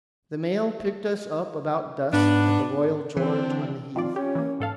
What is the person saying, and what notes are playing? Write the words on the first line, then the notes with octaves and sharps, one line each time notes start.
The mail picked us up about dusk at the Royal George on the heath.
G#2 B3 D4
D3 E3 C4 D4
D#3 F3 C4 F4 D5
C#4 G4 C#5
E3 A#3
G#2 A4 F5